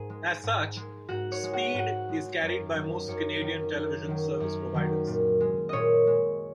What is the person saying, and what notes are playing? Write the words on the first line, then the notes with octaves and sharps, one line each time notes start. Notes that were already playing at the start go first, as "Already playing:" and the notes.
As such, Speed is carried by most Canadian television service providers.
Already playing: G#2 G#4 G#5
G#3
G#2
G#3
G#2 F#4 F#5
C#5
G#3
F#4 F#5
G#2 F#4 F#5
G#3
F#2
D#3 F#3
F#2 C#5
D#3 F#3
F#2
D#3 F#3
F#2
D#3 F#3
A#2
G#3
A#2 C#5 D#5
G#3